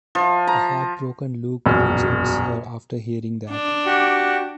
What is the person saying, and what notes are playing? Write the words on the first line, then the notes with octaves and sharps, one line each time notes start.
A heartbroken Luke rejects her after hearing that.
F3
A#5
E1 A#1 F#2
D4
F#4 G4